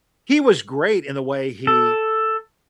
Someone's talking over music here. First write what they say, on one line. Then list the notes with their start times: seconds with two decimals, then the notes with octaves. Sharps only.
he was great in the way he
1.67 A4